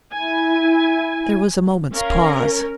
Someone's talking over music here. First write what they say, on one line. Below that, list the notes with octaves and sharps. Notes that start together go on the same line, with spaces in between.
There was a moment's pause.
E4 G#5
C#4 A#4 F5